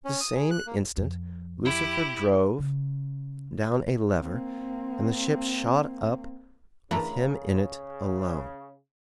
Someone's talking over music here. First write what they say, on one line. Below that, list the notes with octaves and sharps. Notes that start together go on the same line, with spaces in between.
At the same instant Lucifer drove down a lever and the ship shot up with him in it alone.
C#4
D#6
G#4
F#6
A#3
F2
E4 G4
C#3
A#3 C4
C#3 E3 A3 D4 A#4 A#5 B5